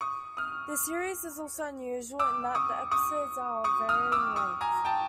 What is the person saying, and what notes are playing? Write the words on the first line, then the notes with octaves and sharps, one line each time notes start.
The series is also unusual in that the episodes are of varying length.
C#6 D#6
D#6 F6
D6 E6
C#6 D#6
C#6 D#6
C#6 D#6
D#6 F6
D6 E6
C#6 D#6
G#5 A#5
G5 A5